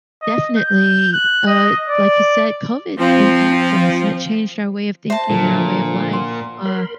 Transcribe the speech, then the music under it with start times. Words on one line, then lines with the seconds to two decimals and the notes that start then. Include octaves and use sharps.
Definitely. Uh, like you said, COVID impacts us, and it changed our way of thinking and our way of life, uh,
0.22 D#5
0.57 G6
1.13 F#6
1.47 D#5
1.89 D5
2.99 F3 C4
5.10 C5 E5 A5
5.30 A#2 D3 F3
6.13 F#5 C6
6.66 A#4 C#5 B5 C6